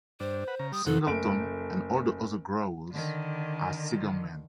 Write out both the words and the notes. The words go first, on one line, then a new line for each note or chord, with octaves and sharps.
Singleton and all the other growers are cigar men.
G2 D4 C5
B4 F#5
C#3 A#5
G3 D#6
F2 C3 A4 F#5
F#1 A3 D7
D3 D#3